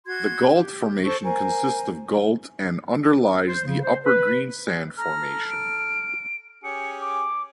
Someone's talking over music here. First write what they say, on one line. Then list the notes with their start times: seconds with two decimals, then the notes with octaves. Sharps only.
The Gault Formation consists of gault and underlies the Upper Greensand Formation.
0.05 F#4 C6 G#6
0.54 G4
1.04 A4 C5 C#6
1.23 A#4 C5 G#5
3.47 C5
3.66 C#3
3.83 C5
4.05 B4
4.98 A4 A#5 F6
5.50 D7
6.64 C#4 G4 G#4 C#7
7.01 D6